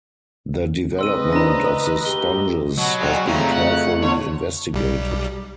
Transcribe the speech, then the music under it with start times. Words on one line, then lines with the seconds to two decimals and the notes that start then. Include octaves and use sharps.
The development of the sponges has been carefully investigated.
0.99 C#3 C4 B4 D#5 C6 E6 D#7
1.32 D4 E4 A#5 A#6
2.05 D2 G4 G7
2.78 B2 F#3 B3
3.01 A#2 G3 G#3 C#4 F#5 G5
3.27 F2 C#3 F#3 A3 C4 D#4
3.52 F#5
4.03 D3 C#5
4.73 B1 G3